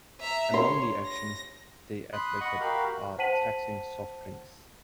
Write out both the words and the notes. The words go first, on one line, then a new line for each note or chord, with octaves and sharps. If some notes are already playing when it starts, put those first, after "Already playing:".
Among the actions they advocate are taxing soft drinks.
E5 A#5
C#5 C6
A#6
B5 C6 D#6 F#6
D#5 F#5 B5 C#6
F#4 G4 A#4 F5 B5
C5 F#5 A5 B6 D#7 F#7